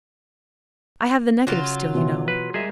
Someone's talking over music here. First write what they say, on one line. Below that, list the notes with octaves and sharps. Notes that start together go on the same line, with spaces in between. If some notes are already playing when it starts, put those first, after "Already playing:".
"I have the negative still, you know."
C#3 F#3 F4
B2 E3
B4
G3 G#3 G#4 A#4 D#5 E5